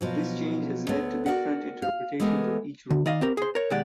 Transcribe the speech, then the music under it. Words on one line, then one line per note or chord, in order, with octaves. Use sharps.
This change has led to different interpretations of each role.
B2 F3 F#3
D2 A3 B3 C#5
F#4 A4 A#4 D5 F#5
F5
E3 G#3 A3 B3 G4 A#4
D3
D#3 D5 D#5 F5
C4 G4 A#4
G#4 C5
A#4 C#5
B1 D#3 G#3 G4 D5 F#5